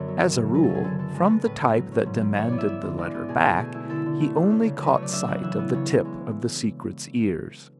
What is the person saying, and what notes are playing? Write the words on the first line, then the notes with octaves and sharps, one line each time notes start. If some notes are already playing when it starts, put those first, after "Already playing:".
As a rule, from the type that demanded the letter back, he only caught sight of the tip of the secret's ears.
Already playing: F#2 D3 B3 C#5
F#3
C#3
C#3
F#3 B4
A4
C#4
G#4
D3 A4
D3 A4
G#3
B3
A2 B4
A2
F#3
C#4
G#2
G#2
E3 C#5
B3 D5
E5
E4
D3
G#3 D5
B3
B2 G#4
B2
A3 G#4
E4
D3 A4
D3
A3
D4
C#4
C#3
F#3 B4
C#5
A3 D5
D4 E5
C#3 F#5
E3 E5
B3
C#3 C#5
C#3
G#3